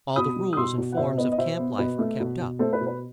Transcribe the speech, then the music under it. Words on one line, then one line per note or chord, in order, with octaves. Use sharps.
All the rules and forms of camp-life were kept up.
B2 B5 D#6
G3
D#6
B2 C6 E6
B2
F#5
B2 C5 E5
B3 B4 D#5
D#5
B2 C5 E5
B3
B2 B4 D#5
A3
B2
B2
A3 A4 C5
B4
B2
B4